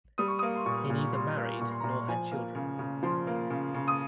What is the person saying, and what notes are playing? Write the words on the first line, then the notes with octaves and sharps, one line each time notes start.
He neither married nor had children.
G3 D#6
C#6
A#3 D#6
C6
A#2 C#6
A#2
G3 C6
A#3
A#2 C#6
C6
A#2 A#5
C6
F3 G#5
A#3
C#3
C#3
F3 C6
A#3
C#3
C#3
D#6